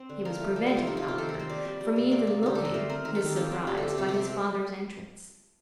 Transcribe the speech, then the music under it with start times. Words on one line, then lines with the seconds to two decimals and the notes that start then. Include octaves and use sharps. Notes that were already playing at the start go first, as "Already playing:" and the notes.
He was prevented, however, from even looking his surprise by his father's entrance.
Already playing: C4
0.09 D3
0.25 F3 A#4
0.40 A3
0.56 G3 A4
0.66 G4
0.72 C3
0.77 F4
0.87 F3 D#4
0.97 F4
1.03 C3
1.08 G4
1.18 D#3 A4
1.29 A#4
1.34 C4
1.40 C5
1.49 A#3 D5
1.65 G3
1.81 G3
1.96 C3
2.11 A#3 D5
2.27 A#3
2.43 D3 G4
2.55 D3 A4
2.65 A#4
2.74 A3 C5
2.89 C4 A#4
3.05 D#3 A#4
3.15 A4
3.21 D#3 G4
3.36 C4 F4
3.52 C4
3.67 D3 G4
3.77 A4
3.83 A3
3.88 G4
3.98 C3 A4
4.09 G4
4.14 C3